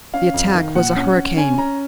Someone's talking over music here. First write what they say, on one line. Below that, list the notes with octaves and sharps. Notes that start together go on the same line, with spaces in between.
The attack was a hurricane.
C#4 F5
F2
D#3
A#2 F#5
C#4
C#4
C#4 G#5
C#4 A#5